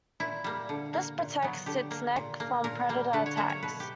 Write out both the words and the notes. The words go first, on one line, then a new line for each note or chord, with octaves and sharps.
This protects its neck from predator attacks.
A#2 E4
G3 A#3
D3
A#3
A#2
F#3 B3
D3 G4
A#3
A#2
A#3
A#2 A#4
G3 A#3
D3 B4
C#5
F#3 A#3 E5
C#5
B2 B4
G4